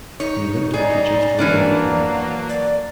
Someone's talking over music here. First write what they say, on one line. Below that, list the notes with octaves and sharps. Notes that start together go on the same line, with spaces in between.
He looked like he just rolled out of bed.
D#4 C#5
G3 C#4 D#4 G#4 D5
E3 F#3 A#3 C#4 D4
D5